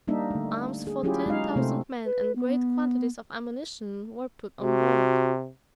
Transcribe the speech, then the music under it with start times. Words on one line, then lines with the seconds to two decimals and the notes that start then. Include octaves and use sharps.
Arms for ten thousand men and great quantities of ammunition were put on board.
0.08 G3 A#3 D4 D#4 E5
0.31 D3 A3
0.87 G#4
1.03 F#3 C#4 E4 F4 G4 G#4
1.26 G#3 D#4 F5
1.56 C3 A3 C4 C5
2.05 B4
2.36 B3
4.62 C3 F#4